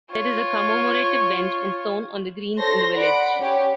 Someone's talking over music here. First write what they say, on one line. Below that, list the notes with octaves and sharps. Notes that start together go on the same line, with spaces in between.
There is a commemorative bench and stone on the greens in the village.
F4 C#5
A4 C5 C#5 C6 A#6
D5 F#5 B5 D7
C#4 G4 C#5